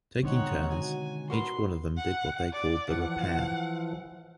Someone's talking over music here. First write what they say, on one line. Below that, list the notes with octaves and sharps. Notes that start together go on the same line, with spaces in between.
Taking turns, each one of them did what they called the repair.
B2 D3 D#3 G#3 C4 D#4 C#5 F#5
F#4 G#5
F#4 A#4 B4 C6
F#5
D5
E3 F3 F#5